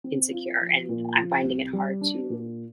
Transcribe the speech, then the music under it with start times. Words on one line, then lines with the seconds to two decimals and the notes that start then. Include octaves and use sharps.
insecure, and I'm finding it hard to
0.04 C4
0.32 F4
0.61 F3
0.89 A#2
1.17 F3
1.45 C2
1.73 G3
2.01 D4
2.30 A#2